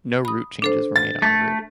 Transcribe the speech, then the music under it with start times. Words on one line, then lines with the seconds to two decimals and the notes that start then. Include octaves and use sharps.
No route changes were made on the route.
0.25 B5 D#6
0.62 D4 A4 C5
0.96 A6
1.22 A3